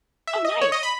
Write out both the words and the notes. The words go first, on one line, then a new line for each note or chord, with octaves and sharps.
Oh, nice.
E5
D#5
C#5
D#5
B5